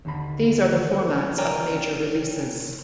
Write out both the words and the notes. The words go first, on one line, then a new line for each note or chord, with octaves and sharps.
These are the formats of major releases.
D#2 D3 B5
A#4 C#5 D5 G5 G#5 A#5